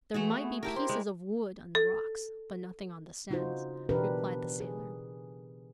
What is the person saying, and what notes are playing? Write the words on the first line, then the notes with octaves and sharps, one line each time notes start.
"There might be pieces of wood on the rocks, but nothing on the sands," replied the sailor.
E3 A3 F#4 G#4
B3
A3 E4 G4 A#4
C5 C6
G#3
A4
C#3 D#4 F4 F#4 C5
B2 E3 D4 G4 A#4 B4
G#4